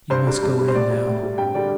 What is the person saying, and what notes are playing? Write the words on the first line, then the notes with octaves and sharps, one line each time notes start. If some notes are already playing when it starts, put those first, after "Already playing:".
"You must go in now!"
G2 C5
G3
G2
G3
C5
A2 D5
G3
A2
G3
G2 G5
D3 G3 D5